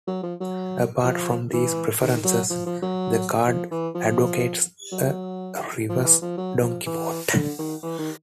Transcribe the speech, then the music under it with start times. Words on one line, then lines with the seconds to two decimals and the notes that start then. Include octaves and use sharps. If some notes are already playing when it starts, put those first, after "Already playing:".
Apart from these preferences, the card advocates a reverse Donkey Vote.
0.07 F#3
0.23 F3
0.40 F#3
1.04 F3
1.53 E3
2.01 D#3
2.25 F#3
2.50 F3
2.66 F3
2.82 F#3
3.47 F3
3.71 E3
3.95 F3
4.92 F#3
5.89 F3
6.05 E3
6.22 F3
6.38 F#3
6.61 F3
6.86 E3
7.35 D3
7.58 D#3
7.83 E3
7.99 D#3